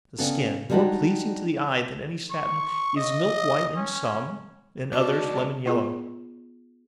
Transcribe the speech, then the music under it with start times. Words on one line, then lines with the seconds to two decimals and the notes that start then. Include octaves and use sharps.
The skin, more pleasing to the eye than any satin, is milk-white in some, in others lemon-yellow.
0.18 C#3 B3 C4 D4 A4
0.70 G3 G#3 D4 D#4 F#4 G4
2.30 C#6
2.96 D#5
3.77 C#4
4.92 C#2 B2 D4 D5 A5 C#6
5.66 B3 F4 G#4